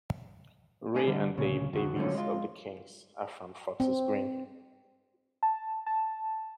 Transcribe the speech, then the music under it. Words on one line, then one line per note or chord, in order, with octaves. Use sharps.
Ray and Dave Davies of the Kinks are from Fortis Green.
A3 D4 G#4
D3 G3 D4
D2 A#2 C#3
F2 D3 F#4
D3 F3 F#3 A3 C#4
G#3 F4
C4
A5
A5